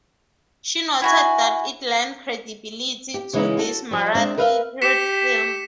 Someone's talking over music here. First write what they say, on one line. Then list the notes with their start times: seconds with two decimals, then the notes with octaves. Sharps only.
She noted that it lent credibility to this Marathi period film.
1.02 E4 F#4 G#5
3.14 G4
3.33 C#3 E3 G#3 C#4 D#4 E4
3.58 F#4 A4
3.91 F3 G3
4.15 G#3 C4 D4 E5
4.37 A#4 B4 E5 F5
4.82 G4 B6 C#7 E7